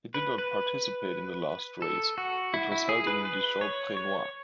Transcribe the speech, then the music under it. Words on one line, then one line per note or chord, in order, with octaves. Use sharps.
He did not participate in the last race which was held in Dijon-Prenois.
B4
B4
A4
F#4
E4
E4
G#4
B4
B4
C#5
C#5